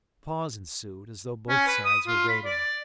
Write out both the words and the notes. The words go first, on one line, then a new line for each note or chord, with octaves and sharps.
A pause ensued, as though both sides were waiting.
C#4
B4
D#6
F4
B5
D5